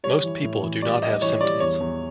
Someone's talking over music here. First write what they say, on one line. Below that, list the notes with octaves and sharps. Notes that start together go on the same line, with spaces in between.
Most people do not have symptoms.
G3 C#5
E3
A2
E3
G3 D5
G3 D#5
E3 C#5
G3 D5
E2 C#5
E2